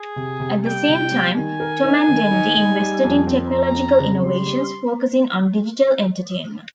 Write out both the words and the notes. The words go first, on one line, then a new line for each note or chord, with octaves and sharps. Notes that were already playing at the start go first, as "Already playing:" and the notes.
At the same time, Tomandandy invested in technological innovations focusing on digital entertainment.
Already playing: G#4
C3
C3
G3 G5
C3
G3
D#3 G#5
A#4
D#4
D#3
D#4
D#4
G3
F2
C4
F2 A#5
C4
C#3
G3 C6
G3